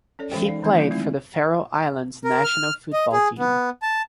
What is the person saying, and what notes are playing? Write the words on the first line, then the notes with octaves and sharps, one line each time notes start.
He played for the Faroe Islands national football team.
C#4 A4 C#5 D5
E3 G#3 C#4 A4 C5 G5
D#4 D5 F5
D#3 E3 A3 C4 D#4
F#3 A3 A#3 F4 D5
G#3 A3 C4 D#4 E4
A#4
F6
D#5
G#4
B3
A5